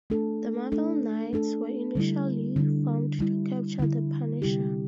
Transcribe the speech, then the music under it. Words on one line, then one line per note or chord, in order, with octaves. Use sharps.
The Marvel Knights were initially formed to capture the Punisher.
A3 D4 A4
A3 D4 A4
A3 D4 A4
D3 G3 E4
D3 G3 E4
D3 G3 E4
D3 G3 E4
C3 G3 E4 G4